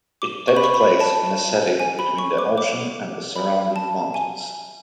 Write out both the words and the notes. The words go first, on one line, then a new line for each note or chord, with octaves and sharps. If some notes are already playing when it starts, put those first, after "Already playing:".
It takes place in a setting between the ocean and the surrounding mountains.
D6
C#6
B5
C#6
B5
A5
G#5
B5
C#6
D6
D6
B5
A5
G#5